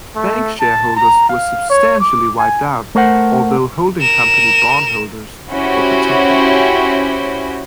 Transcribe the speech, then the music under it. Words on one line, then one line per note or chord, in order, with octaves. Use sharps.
Bank shareholders were substantially wiped out, although holding-company bondholders were protected.
A3
A5
A#5
F5
C#5
D6
G#5
A3 A#4 C5 F#5
A#4 E7
C#4 E4 F#4 G4 C5